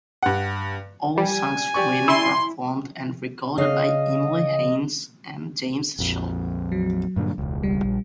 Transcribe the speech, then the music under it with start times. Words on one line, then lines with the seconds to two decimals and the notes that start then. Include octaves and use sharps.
All songs written, performed and recorded by Emily Haines and James Shaw.
0.23 G2 F#5
1.17 G3 G#5
1.74 G4 D5 C#6
2.08 E4 C6
3.58 C#3 D#5 F5
5.99 A#1 F2
6.72 F#3
7.16 G2 A#2 D3
7.38 E1 C#2
7.63 G3
7.84 A#1